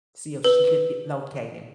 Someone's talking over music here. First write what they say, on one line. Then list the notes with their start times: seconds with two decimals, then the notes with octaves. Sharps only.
see if she could g locate him.
0.44 B4